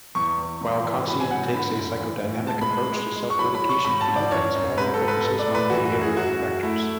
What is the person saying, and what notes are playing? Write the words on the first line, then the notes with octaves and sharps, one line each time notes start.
While Khantzian takes a psychodynamic approach to self-medication, Duncan's model focuses on behavioral factors.
E2 C#6
E2
G#2
E3
F#3 B5
G#5
G#2 F#5
D3 B5
F#2
E3
A2
G#3 A5
B5
G#3
G#3
G#3
C#6
F#3 B5
B5
F#3
C#6
G#2 B5
A5
G#2
D5
F#2 C#5
F#2
G#2 B4
A4
G#2
B4
G#3 A4
D5
A2
B4
E3 F#4
F#4
F#2
G#4
F#2 F#4
F#2
A3 E4